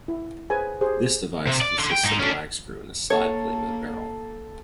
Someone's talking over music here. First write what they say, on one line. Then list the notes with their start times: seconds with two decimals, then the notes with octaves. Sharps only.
This device consists of a lag screw and a side plate with a barrel.
0.08 E4
0.50 G#4 B4 C5 G#5
0.81 G4 G#4 C5
1.47 C3
1.61 D5
1.78 D3 C6
1.91 G5
2.04 G#2 D#4
2.19 C#4 D4
3.10 A#3 A4 C#5